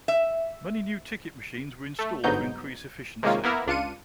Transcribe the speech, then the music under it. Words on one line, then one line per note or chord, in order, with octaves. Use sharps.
Many new ticket machines were installed to increase efficiency.
E5
A3
G1 G#2 F#3 B3 D#4 G6
C3 D#3 G#3 A#3 C#4 F4
A#3 B3 E4 A#4
C#2 D4 F4 C#7 D#7